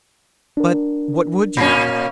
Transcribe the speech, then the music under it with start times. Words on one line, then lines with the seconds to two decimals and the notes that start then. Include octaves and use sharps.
But what would you?
0.57 D4 A#4
1.57 A#2 A#3 C#4